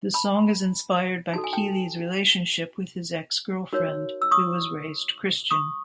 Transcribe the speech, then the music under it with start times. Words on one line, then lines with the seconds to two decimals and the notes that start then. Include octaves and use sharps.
The song is inspired by Keelys relationship with his ex-girlfriend who was raised Christian.
0.14 A5 B5
1.33 D#4 F#4 A4 A5
1.44 G#5
1.53 G5 A5
3.73 D#4 F#4 A#4 C#5
4.22 E6
4.31 C#6 D#6
5.51 C#6 D#6